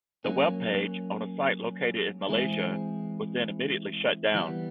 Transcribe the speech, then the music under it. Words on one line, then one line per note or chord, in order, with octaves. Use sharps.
The web page, on a site located in Malaysia, was then immediately shut down.
F#3 A#3 C#4
E3 G#3 C4 E4 G#4
E3 G3 B3